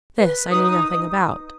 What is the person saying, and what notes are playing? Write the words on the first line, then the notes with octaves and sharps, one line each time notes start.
This I knew nothing about.
B4
D#4 D#6
D#6